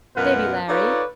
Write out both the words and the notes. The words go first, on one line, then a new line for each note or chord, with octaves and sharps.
"Baby Larry."
F#2 B2 F4 A#4 B4 F#5
D#4 F4 A4 B4 C#5 D5